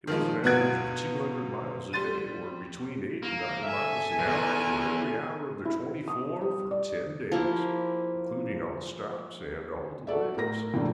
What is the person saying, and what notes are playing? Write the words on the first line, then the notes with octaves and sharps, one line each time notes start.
It was an average of two hundred miles a day, or between eight and nine miles an hour for every hour of the twenty-four for ten days, including all stops and all delays.
D#3 F3 G#3
G1 B2 F#4 F#6 G#6 D7
G3 C6 A6 D#7
A#3
A4 E5 G#5
E2 G#2
E4
D#6
G3
D5
F3 A#3 E4 G4
F#4 A4 D5 E5
A2 A#4 A#6
F2 A2 C#3 A#3 D4